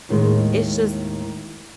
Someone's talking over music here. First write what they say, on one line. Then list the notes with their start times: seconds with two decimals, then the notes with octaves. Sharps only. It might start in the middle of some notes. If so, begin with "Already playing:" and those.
It’s just
0.09 D#2 A2 D#3 G#3